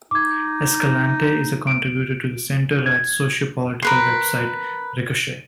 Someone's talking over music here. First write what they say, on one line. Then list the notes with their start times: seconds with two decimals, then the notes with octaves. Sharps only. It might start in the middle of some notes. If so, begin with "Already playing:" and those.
Escalante is a contributor to the center-right socio-political website Ricochet.
0.11 D#4 D6 G#6
1.67 D7
2.86 G#6
3.82 A#4 B4 C6